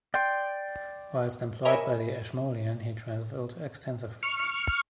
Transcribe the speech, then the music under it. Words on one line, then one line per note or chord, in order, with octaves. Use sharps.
Whilst employed by the Ashmolean he travelled extensively.
D5 G5 C6
A#4 C#5 D#5 E5 G#5 B5
C#6 F6